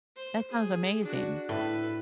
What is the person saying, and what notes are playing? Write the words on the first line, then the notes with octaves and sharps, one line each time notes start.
That sounds amazing.
C5
G#4
D4 F#4
A2 A4 B4